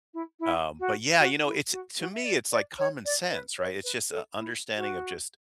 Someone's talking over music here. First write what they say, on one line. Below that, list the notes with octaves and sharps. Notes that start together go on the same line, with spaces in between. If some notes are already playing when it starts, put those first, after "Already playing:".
uh, but yeah, you know? It's to me it's like common sense, right? It's just, uh, understanding of just
E4
E4
F#4
F#4
E4
F#4
F#4
E5
D5
D5
C#5
D5
B4
C#5
B4
A4
E4
F#4